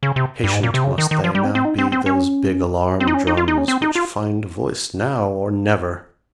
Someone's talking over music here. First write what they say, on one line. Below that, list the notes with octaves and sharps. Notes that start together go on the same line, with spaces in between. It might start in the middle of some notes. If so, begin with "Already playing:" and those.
Impatient must they now be, those big alarm-drums, which find a voice now or never!
C#3
C3
G2
G#2
A#2
C3
C#3
D#3
D#3
F3
G3
C4
C4
D#4
C4
C4
C#4
C4
D#4
C#4
D#4
F4
D#4
C#4
C4
D#4
F4